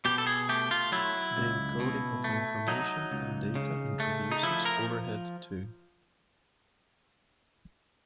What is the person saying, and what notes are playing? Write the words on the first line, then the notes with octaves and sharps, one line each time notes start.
The encoding of information and data introduces overhead too.
B2 G4
A4
G#4
A3 G4
F4
F#3 E4
C#2
B2
A3
F#3 D#4
C#2
C#3
A3
D#4
F3 E4
A#4